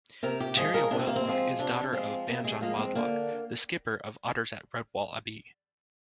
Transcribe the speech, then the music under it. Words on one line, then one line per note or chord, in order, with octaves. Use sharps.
Tiria Wildlough is daughter of Banjon Wildlough, the Skipper of Otters at Redwall Abbey.
C3 A#4
G4
F3 G#3 G#4
A#4
C3 D4
C4
A#3
C4
F3 G#3
C3 D4
F3 G#3 C4
C3 A#3
G#3
F3 G#3 A#3
C4
D3 A#3